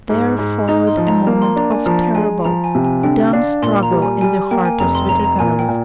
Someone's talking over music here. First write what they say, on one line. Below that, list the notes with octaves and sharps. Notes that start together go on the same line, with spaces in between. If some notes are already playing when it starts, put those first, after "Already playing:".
There followed a moment of terrible, dumb struggle in the heart of Svidrigailov.
G#2
G#2
D#4 A#5
C6
F3
A#5
A#3 A#5
C6
D4 A#5
G#5
F3 A#5
G#3 G#5
F3 A#5
G#5
C3
G#5
D3 G5
D4 F5
A#2 C6
A#5
G3
G#5
G3 G#5
A#3 G5
G#5
F1 A#5
C6
F1 A#5
A#5
A#2 G#5
G5
A#2